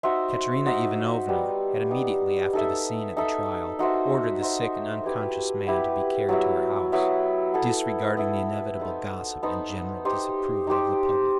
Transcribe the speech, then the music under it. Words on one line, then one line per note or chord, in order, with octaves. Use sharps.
Katerina Ivanovna had immediately after the scene at the trial ordered the sick and unconscious man to be carried to her house, disregarding the inevitable gossip and general disapproval of the public.
D#4 F#4 C5 E5
D#4 F#4 C5 E5
G3 B3 D#4
G3 B3 D#4
D#4 A4 E5
D#4 A4 E5
D#4 F#4 C5 E5
D#4 F#4 C5 E5
B3 E4 G4 B4
B3 E4 G4 B4
F#3 B3 E4
F#3 B3 E4
B3 E4 A4
B3 E4 A4
B3 D#4 A4 C5
B3 D#4 A4 C5
D#4 G4 C5
D#4 G4 C5